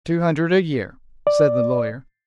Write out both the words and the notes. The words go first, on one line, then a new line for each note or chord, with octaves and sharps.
"Two hundred a year," said the lawyer.
D5